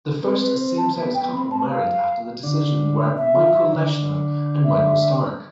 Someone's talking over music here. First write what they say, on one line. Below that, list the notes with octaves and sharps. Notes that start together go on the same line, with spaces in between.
The first same-sex couple married after the decision were Michael Leshner and Michael Stark.
C4 B4
B4
C5
A5
B3
B3 G5
C4 B5
C4 A5
F5
D3 D4
E5
F3 F4
E3 E4
D3 D4
E5